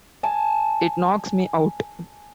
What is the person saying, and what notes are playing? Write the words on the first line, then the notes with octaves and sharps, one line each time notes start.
It knocks me out.
G#5 A5